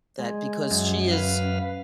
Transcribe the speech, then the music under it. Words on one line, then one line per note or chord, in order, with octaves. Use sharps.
That because she is
G#3
F#2
B4 F5